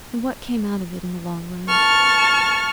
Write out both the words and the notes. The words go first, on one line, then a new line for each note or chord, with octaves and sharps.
'And what came out of it in the long run?'
A5 C#6 F6